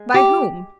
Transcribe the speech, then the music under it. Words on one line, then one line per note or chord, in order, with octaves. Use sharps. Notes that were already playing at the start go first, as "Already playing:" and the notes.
"By whom?"
Already playing: G#3
G4